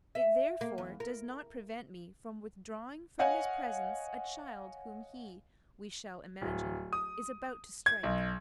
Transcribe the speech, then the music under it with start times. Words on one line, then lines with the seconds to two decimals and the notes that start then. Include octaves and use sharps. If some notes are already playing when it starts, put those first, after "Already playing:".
It, therefore, does not prevent me from withdrawing from his presence a child whom he, we shall imagine, is about to strike.
0.15 E5
0.61 A#3
0.78 E2
1.00 A#4
3.19 C#5 D#5 F5 F#5 G#5
6.41 D1
6.93 D#6
7.86 G#6
8.03 B1